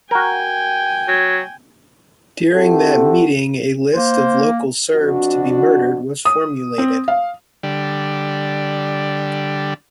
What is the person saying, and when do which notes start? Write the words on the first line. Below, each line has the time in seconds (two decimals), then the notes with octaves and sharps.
During that meeting a list of local Serbs to be murdered was formulated.
0.11 F#4 A#4 G5 G#5
1.08 F#3
2.53 C4 E4 F#4 G4 A4
3.94 A#3 C5
4.95 F2 D4 F#4
6.25 D#6
6.78 C4
7.08 F5
7.63 D3 G3